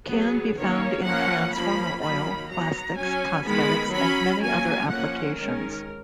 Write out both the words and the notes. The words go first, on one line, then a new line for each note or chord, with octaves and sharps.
Can be found in transformer oil, plastics, cosmetics, and many other applications.
F#3 B3 G#4
D#3 A#3 C#4 C#5
F3 A#3 C#4 F#5
F3 A#3 C#4 B5
D#3 F#3 A#3 B5
F#3 B3 A#5
F#3 C#4 G#5
D#3 G#3 B3 B5
F#3 C#4 B5
F#3 A#3 C#4 G#5
F3 A#3 C#4 F#5
D#3 G#3 C#4 A#4